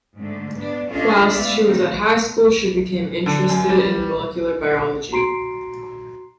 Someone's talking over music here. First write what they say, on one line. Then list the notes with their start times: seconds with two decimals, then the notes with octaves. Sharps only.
Whilst she was at high school she became interested in molecular biology.
0.17 G#2 D3 A3
0.57 B3 D4
0.89 C#4 D4 F4 G#4 A4 D#5
1.33 G#3 A3 B3 D5 E5 F5
1.66 D#3 E3 A3 C4 D#4
3.26 D3
3.49 F#2
3.69 G3
5.12 F#4 A#5 C6 C7 D7